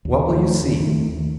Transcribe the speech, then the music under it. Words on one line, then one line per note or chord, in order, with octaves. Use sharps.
What will you see?
D#2
D#3 A3
D#2
D#3 A3
D#2